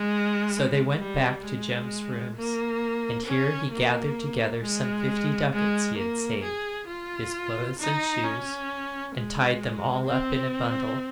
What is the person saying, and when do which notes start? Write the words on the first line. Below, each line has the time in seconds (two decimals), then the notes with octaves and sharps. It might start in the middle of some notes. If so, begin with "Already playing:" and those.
So they went back to Jem's rooms, and here he gathered together some fifty ducats he had saved, his clothes and shoes, and tied them all up in a bundle.
Already playing: G#3
0.99 G3
1.45 G#3
2.35 A#3
3.26 C#4
3.71 A#3
4.62 G#3
5.52 G#3
5.98 A#3
6.43 G#4
6.89 F4
7.80 D#4
8.24 C#4
9.16 G#3
10.06 C4